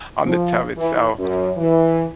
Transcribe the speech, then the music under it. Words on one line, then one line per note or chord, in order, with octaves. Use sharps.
on the tub itself
F3
E3
F#2
E3